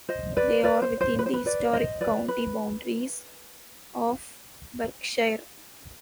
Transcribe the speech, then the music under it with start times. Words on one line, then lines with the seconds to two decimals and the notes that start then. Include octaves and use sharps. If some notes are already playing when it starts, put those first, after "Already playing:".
They are within the historic county boundaries of Berkshire.
0.09 C5 D#5
0.37 B4 D5
0.63 B4 D5
0.82 C5
1.01 C5
1.19 B4
1.26 C5
1.33 B4
1.46 B4 D5
1.73 C5 D#5
2.01 B4 D5
2.28 B4